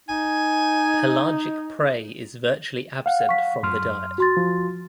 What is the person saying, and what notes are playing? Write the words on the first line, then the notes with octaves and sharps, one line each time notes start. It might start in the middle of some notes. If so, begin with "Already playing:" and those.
Pelagic prey is virtually absent from the diet.
D#4 G#5
F5 F#5
C#6 B6
F#2 C6 F6
F#4 C6 A6
F3